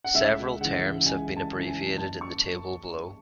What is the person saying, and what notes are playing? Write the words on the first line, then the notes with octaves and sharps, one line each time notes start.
Several terms have been abbreviated in the table below.
F#5
C#2 E5
C#3 E3 F#5
C#2 G#5
A5
C#3 E3
G#5
F#1 A5
C#6